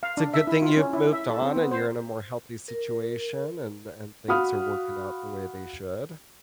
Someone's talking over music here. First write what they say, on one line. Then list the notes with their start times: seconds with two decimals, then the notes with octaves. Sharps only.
it's a good thing you've moved on and you're in a more healthy situation and and things are working out the way they should.
0.03 F5
0.17 D4
0.34 E5
0.47 E4
0.62 F4
0.77 C#4
0.93 E4
1.13 E5
1.30 A4
1.42 C4
1.56 B3
1.71 C5
2.68 A#4
4.28 F#4 F5 B5 D#6 F6